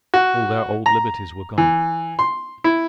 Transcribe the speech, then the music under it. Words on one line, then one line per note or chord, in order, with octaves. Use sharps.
All their old liberties were gone.
F#4
A#5
E3
C6
E4